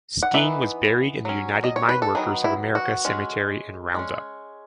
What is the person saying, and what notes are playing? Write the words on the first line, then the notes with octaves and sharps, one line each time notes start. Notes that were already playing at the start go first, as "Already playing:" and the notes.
Steen was buried in the United Mine Workers of America Cemetery in Roundup.
F#5
E3 B3 D#4 E5
F#3 C#4
D#5
C#5
B4
A4
D#3 F#3 B3 D#4 G#4
E4
F#4
G#3 C#4
G#3 C#4